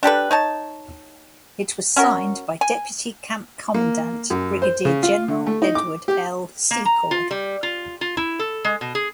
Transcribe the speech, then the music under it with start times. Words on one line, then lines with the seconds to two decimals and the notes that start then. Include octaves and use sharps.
It was signed by deputy camp commandant Brigadier General Edward L. Secord.
0.03 D4 G4 A4 B4
0.31 D#4 C#5 A5
1.96 C#4 F#4 A#4
2.61 G#5
3.74 A#3
4.30 F#2
4.62 C5
4.85 C#3
5.03 F4
5.28 D3
5.47 A3
5.62 D#4
5.75 D6
6.08 G4
6.71 A#3
6.85 A#5
7.11 F4
7.31 G3
7.63 F4
8.01 F4
8.17 E4
8.39 A4
8.65 G#3
8.81 B2
8.95 G#4